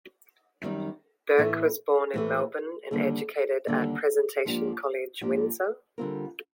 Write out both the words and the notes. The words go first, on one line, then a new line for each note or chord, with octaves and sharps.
Burke was born in Melbourne and educated at Presentation College, Windsor.
F#2 D#3 G3 C4
A2 E3 A3
A2 E3 A3
D#2 D3 G3
D#2 D3 G3
G#2 F3 A#3 D4 G4
G#2 F3 A#3 D4 G4
D3 G3 C4 F4 A#4